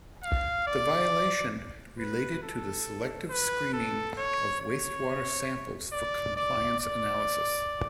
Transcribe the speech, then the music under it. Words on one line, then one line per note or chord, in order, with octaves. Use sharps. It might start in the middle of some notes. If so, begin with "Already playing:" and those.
The violation related to the selective screening of wastewater samples for compliance analysis.
F5
D5
B4
A4
B4
A4
C#5
C#5
D5
D5
D5